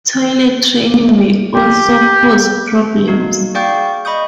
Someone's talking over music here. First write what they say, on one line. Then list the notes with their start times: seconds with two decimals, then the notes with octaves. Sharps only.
Toilet training may also pose problems.
1.54 G4
3.08 A#3 D#4 F#4
3.55 G#4 D5 F5 G5 C#6 G6
4.05 D#5 B5 C#6 D#6 G6